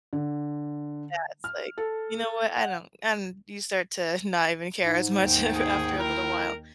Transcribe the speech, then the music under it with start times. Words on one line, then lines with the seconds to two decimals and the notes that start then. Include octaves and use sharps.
Yeah, it's like, "You know what, I don't" and you start to not even care as much after a little while.
0.13 D3
1.44 F6
1.78 A4
2.57 F#5
4.82 G#2
5.20 D#2 G5
5.53 G#4
5.98 E4 A#4